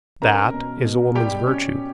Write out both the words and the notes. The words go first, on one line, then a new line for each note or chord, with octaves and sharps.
That is a woman's virtue.
C#4 A#4 A#5
B2
B2
G3 G4 G5
C#4